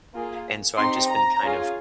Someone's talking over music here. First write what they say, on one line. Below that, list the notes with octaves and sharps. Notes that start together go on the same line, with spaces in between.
and so, I've just been kind of
A#3 F4 G#4
C4 D#4 G4 C6
A#5
C#4 F4 G#4